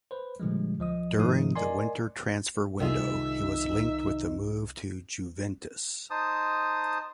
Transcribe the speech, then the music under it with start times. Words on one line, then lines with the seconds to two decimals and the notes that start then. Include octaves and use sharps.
During the winter transfer window, he was linked with a move to Juventus.
0.11 B4 C5
0.40 A#2 D3 F3 G3 G#3
0.79 D2 F3 D#5 D#6
1.18 G#2 D#3 F3 A3 D#4 D#6
1.56 A#4 D5 D#5 G#5 C6
2.80 C2 D#3 D#4 F4 G#4 E5
6.10 D#4 C5 A5 D#6